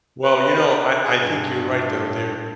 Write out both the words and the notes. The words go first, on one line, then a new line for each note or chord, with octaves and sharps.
Well, you know, I I think you're right though, there
B4
G#4
G2